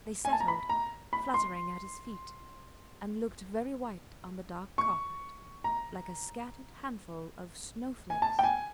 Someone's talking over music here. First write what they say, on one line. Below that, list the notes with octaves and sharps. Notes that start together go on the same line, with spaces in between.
They settled, fluttering at his feet, and looked very white on the dark carpet, like a scattered handful of snow-flakes.
G#5
A5
A#5
B5
A#5
B5
C6
C#6
A#5
G#5
A5
G5
G#5